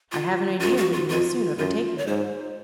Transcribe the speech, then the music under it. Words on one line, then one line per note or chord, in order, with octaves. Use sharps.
'I have an idea that you will soon overtake her.'
F4
F#2 F4
F#4
F4
F2 F4
F#2 F4
C#5
G#2 C5